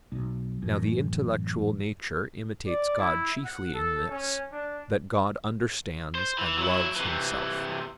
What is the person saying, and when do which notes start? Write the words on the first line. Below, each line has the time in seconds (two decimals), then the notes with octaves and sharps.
Now the intellectual nature imitates God chiefly in this, that God understands and loves Himself.
0.12 B1
0.62 A1 F#2
2.68 D5
2.99 E4
3.45 F#5
3.75 A4
4.10 C#4
4.52 D4
6.15 C5
6.39 E3
6.58 F#3 E4
6.96 C3 E3